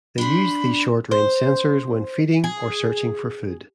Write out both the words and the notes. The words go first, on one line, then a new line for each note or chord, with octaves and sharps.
They use these short-range sensors when feeding or searching for food.
D4 C5 B5
C5
G#4